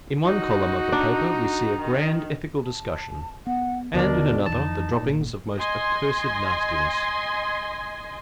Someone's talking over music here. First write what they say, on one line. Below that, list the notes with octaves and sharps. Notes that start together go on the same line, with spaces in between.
In one column of a paper we see a grand ethical discussion, and in another the droppings of most accursed nastiness.
D#4 F#4
D4 A#5
D#3
A5
B3 F#5
D#2 B2 D3 D4 A#4 D5
F2 E3 D#4 A5
G1 A#2
D#5 G#5 C6